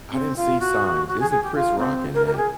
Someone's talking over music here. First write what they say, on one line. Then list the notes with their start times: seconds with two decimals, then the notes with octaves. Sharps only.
I didn't see signs, isn't Chris Rock in that?
0.11 C4
0.36 F4
0.59 F#4
1.07 F#4
1.19 G#4
1.30 G#4
1.43 G4
1.55 F4
1.78 C4
2.14 A#4
2.26 A#4
2.33 G4
2.37 G#4